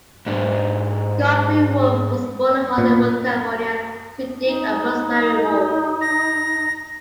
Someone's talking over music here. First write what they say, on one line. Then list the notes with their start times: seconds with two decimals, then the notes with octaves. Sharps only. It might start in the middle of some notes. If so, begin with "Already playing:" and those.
Geoffrey Wolff was born in Hollywood, California, to Duke and Rosemary Wolff.
0.26 G#2 D4
2.78 A#2
4.45 D#4
6.01 A#6